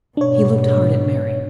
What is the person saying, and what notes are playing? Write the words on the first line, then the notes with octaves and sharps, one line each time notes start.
He looked hard at Mary.
G#2 B2 D4 C#5